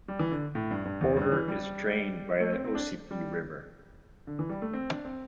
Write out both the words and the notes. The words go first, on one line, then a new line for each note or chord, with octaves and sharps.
Porter is drained by the Ossipee River.
G3
E3
D3
A2
G2
G2
E2
G2
E3
G3
A3
C4
C4
D4
G3
D3
E3
G3
A3
C4
D4
C4